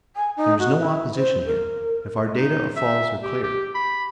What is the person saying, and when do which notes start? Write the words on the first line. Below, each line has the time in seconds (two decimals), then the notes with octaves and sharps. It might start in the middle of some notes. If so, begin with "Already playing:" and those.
There is no opposition here, if our data of falls are clear.
0.16 G#5
0.37 D#4
0.59 F#4
0.79 E4
1.16 C5
1.46 A#4
2.24 G#3
2.37 D#4
2.76 E5
3.23 G4
3.43 G4
3.75 B5